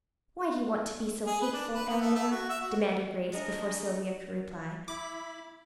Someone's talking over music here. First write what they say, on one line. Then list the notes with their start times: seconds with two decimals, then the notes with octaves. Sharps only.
"Why do you want to be so hateful, Elinor?" demanded Grace, before Sylvia could reply.
1.27 G#4
1.42 B4
1.53 D4
1.74 B4
1.89 B3
2.01 A3
2.15 A3
2.32 F#4
2.49 E5
2.61 F#4
3.32 G#3 A3 D4 A#4 D#5
4.88 E4 B5 D6